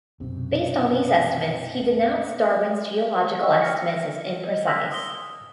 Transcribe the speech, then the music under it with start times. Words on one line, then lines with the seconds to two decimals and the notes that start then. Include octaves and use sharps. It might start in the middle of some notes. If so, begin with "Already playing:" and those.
Based on these estimates he denounced Darwin's geological estimates as imprecise.
0.20 B1 F#2 C3
3.41 D5 D#5 G5 C#6 E6
3.61 F6 A#6 C#7
4.46 D#5
4.66 C6 E6 F6 A#6 B6
4.92 D#6 G7